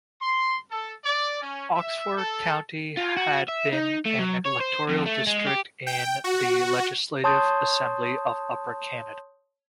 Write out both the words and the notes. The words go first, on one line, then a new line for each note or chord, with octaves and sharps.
Oxford County had been an electoral district in the Legislative Assembly of Upper Canada.
C6
A4
D5
C#4
E5
A4
F4
F#4
E5
D#4
A3
F#3
C#5
C5
F2
A3
G#3
G4
G5
F#4
C#5 A5 C6 D#6 G6